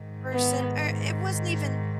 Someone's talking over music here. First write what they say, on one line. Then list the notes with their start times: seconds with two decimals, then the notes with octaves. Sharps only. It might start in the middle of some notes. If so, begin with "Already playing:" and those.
person, or it wasn't even
Already playing: G#2 D#3
0.32 B3